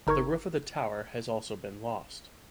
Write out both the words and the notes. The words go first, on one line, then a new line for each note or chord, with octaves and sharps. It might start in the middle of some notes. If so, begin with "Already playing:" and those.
The roof of the tower has also been lost.
G1 D#4 A#4 A#5 C#6 G#6